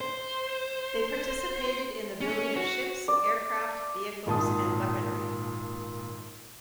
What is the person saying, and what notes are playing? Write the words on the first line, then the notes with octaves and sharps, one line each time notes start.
They participated in the building of ships, aircraft, vehicles, and weaponry.
C5
C#4
F#4
D5
G#1 A#2 A5 D#6